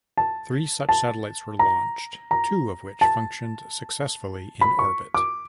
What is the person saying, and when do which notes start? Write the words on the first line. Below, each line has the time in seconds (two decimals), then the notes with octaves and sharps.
Three such satellites were launched, two of which functioned successfully in orbit.
0.17 A5
0.89 A5
1.59 A#5
2.31 A#5
3.01 A5
4.61 B5
4.79 C#6
5.14 D6